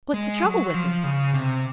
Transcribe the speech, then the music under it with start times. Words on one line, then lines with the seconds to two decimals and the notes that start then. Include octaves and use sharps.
"What's the trouble with her?"
0.14 G#3
0.44 F#3
0.74 F3
1.04 C#3
1.33 C3